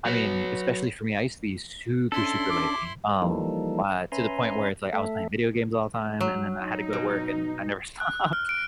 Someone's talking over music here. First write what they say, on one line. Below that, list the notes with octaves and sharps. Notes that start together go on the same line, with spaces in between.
I mean, especially for me, I used to be super, super lazy, um, uh, to the point where it's like I was playing video games all the time, and then I had to go to work, and I never stopped.
F#3 F#4 B4
C#4 D4 E4 A4 A5 C6
D6
E3 F3 G3 A#3 D#4 A4
C#4 B4 E5 G#5 A#5 C6
A3 A4 E5
F#3
D#4
B2
F#6
F6
D7